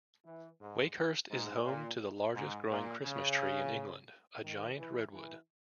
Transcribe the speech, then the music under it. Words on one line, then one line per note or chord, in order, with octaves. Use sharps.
Wakehurst is home to the largest growing Christmas tree in England, a giant redwood.
E3
G#2
G#2
A#2
G#2
A#2
C#3
D#3
E3
E3